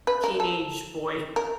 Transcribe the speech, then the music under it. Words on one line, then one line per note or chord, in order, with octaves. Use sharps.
teenage boys,
B4
A#4
A4
A#4